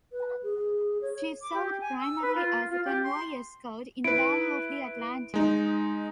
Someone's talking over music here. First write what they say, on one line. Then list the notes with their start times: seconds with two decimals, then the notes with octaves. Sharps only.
She served primarily as a convoy escort in the Battle of the Atlantic.
0.12 B4
0.43 G#4
1.02 C#5
1.42 D6
1.54 G4
1.81 G#5
2.00 E6
2.22 B4
2.36 F4
2.70 F4
2.85 G4
3.03 C6
4.04 E4 B4 D7
5.34 G#3 D#4